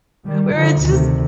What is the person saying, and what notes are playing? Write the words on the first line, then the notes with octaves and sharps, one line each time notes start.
we were just
D#3 G3
D3 F3
D2 C3 D#3